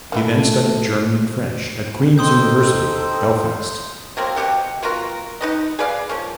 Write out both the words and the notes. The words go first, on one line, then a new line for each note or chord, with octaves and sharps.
He then studied German and French at Queen's University, Belfast.
D#3 E3 A3 E4
D#4 A4 C5 G5 C6 D#6 G6
F#3 A#3 C4 A#4
B2 A#3 G4 F#5
B3 F4 F#4 A#4
D#4 B4 D#5
G#4 B4 D5 F5
F3 A#3 C#4